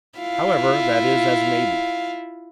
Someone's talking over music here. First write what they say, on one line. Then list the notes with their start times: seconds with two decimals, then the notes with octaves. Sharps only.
However, that is as may be.
0.19 E4 F4 F5